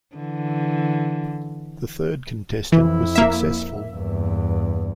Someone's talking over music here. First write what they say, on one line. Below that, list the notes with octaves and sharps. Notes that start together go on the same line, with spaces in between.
The third contestant was successful.
D3 E3
F2 E3 E4
A#3 E5
E2 G2